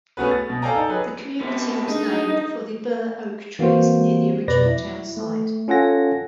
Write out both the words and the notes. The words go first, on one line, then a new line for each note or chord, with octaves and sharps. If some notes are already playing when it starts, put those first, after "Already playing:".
The community was named for the burr oak trees near the original town site.
A3 B3 C#4 F#4 G#4 B4
A6
B2
A4 D5 F5 G5 G#5 A#5
D#4 A4
F#3 G#4 B4
C3 B3
D4 D#4 G#4
E3 A#3 C4 F#4 C5
F2 B2 B4 D5 A#6
E4
A3
C#4 F4 A4 F#5 G#5 A#6